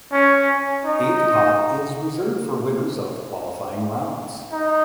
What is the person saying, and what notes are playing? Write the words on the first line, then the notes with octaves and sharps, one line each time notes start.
Eighth pot is reserved for winners of qualifying rounds.
C#4
D#4
D#4